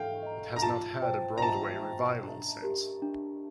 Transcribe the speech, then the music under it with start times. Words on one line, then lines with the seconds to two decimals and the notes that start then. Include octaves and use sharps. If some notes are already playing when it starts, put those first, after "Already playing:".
It has not had a Broadway revival since.
Already playing: A4 F5 G5
0.22 D#5 A#5
0.56 A#5
0.62 F4 A5
1.02 C5 G5
1.38 A#5
1.42 F4 A5
1.83 C5 G5
2.22 D4
2.62 G4 A#4
3.02 D4